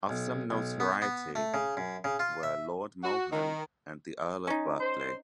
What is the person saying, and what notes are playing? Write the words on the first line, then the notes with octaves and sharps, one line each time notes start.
Of some notoriety were Lord Mohun and the Earl of Berkeley.
B1
B1
B3
B3
A3
C#3
F#2
C#3
F4
E5
F#4
D#3
C#4 D#4
C5